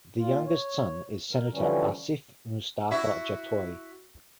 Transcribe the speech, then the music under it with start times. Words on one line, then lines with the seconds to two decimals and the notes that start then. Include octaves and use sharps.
The Youngest son is Senator Asif Mustafa Jatoi.
0.18 A#2 F4
0.46 C#5
1.32 A#4
1.53 D3 E3 F3 G3 C#4
2.91 E4 F#4 E5